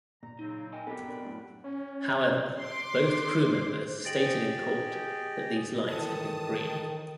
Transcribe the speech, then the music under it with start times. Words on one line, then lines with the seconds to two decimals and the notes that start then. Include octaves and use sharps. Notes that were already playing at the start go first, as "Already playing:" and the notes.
However, both crew members stated in court that these lights had been green.
0.23 A#2 A#5
0.39 C#3 F#3 C4 D#4
0.73 A#4 D#5 G5 G#5
0.87 B3 C4 G4 A4 A#4 F#5 G5 B5
1.08 D4 A#4
1.24 F#2 A2
1.64 C#4
2.60 C6 D6
4.05 G4 G#4 D#5 A6 D7 F#7
5.88 D#3 E3 A4 A5 D#6